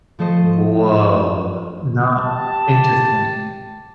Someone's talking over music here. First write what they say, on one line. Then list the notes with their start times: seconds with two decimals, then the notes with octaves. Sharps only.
Woah. Not Interesting.
0.19 F3 A3 A4 C5 D#5
2.18 G4 A5